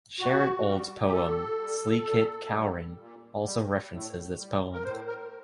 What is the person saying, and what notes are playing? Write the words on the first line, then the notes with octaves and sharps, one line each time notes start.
Sharon Olds's poem "Sleekit Cowrin'" also references this poem.
A#2 F#4
G3
G4
A#2 A4
G3
A#2
G3
A#2
G3
A2
G3
A#4
A2 C5
A#4